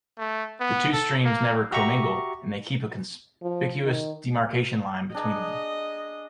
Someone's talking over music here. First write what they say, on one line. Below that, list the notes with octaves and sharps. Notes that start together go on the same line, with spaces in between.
The two streams never commingle, and they keep a conspicuous demarcation line between them.
A3
B3
A4
A#3
F#4 G4 E5 A#5 C#6
F3
D#3
D4 G#4 D#5 A#5